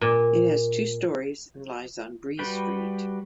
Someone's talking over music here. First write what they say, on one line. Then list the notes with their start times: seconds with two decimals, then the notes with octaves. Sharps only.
It has two stories and lies on Bree Street.
0.01 A#2
2.39 G3 F#4 B4 G5